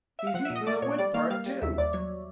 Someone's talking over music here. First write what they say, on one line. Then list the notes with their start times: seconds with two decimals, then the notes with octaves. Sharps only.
He's eatin' the wood part, too!
0.19 E5
0.27 F5
0.34 F3 F#5
0.45 A#2 E5
0.55 D#5
0.67 A3 D5
0.82 A#2 C#5
0.98 G3 D5
1.14 A#3 F5
1.30 G3 F5
1.46 G3
1.62 D#2 E5
1.78 D#2 D5
1.93 F#3 C#5